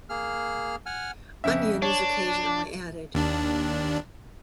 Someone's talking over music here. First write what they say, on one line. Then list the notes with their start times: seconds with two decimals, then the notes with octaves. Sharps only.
Onion is occasionally added.
0.09 A#3 G#4 F6
0.86 F#5 G#5 F6
1.44 F2 C#3 E5
1.82 D4 C#5
3.15 D#2 D4